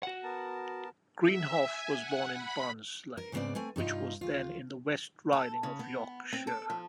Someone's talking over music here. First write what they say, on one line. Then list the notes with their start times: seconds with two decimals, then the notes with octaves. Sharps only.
Greenhoff was born in Barnsley, which was then in the West Riding of Yorkshire.
0.03 F#4 F#5
0.23 B3 A#4 A5
1.21 E5
1.62 G#5
1.97 F#5
2.30 B5
3.17 A#4
3.32 G#2 C#3 E3 B3 C4 D5
3.55 A3 C4 G#5
3.76 G2 C3 D#4 F4
4.21 D2 F4
5.33 A4
5.63 C#3
5.79 B3
6.33 C4
6.47 A4
6.70 F3